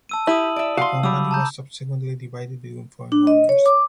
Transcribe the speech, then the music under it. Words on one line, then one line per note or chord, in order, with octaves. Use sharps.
The company was subsequently divided between foreign owners.
A5 E6 D#7
E4 G4 D#6 D#7 F#7
D5 E5
F#4 F5 C6
F#3 G3 B5 D6 E6
A5 A#5 G6
D4
D#5
C#5
D6